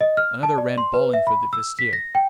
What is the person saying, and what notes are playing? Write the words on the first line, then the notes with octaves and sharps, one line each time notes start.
Another ran bawling for the vestiaire.
D#5
F6
A5
D5
C6
B4
E5
B5
E6
B6
A#6
G5